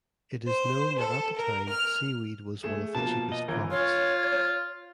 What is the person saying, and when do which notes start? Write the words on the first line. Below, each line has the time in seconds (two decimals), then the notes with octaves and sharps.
It is known that at the time seaweed was one of the cheapest products.
0.47 C5
0.98 A4
1.36 A#4
1.69 F6
2.63 A3 G#4 E7
2.95 B2 F3 A#3 A5
3.32 D#5
3.48 G1 E3 A#4 G#6
3.71 F4 C#5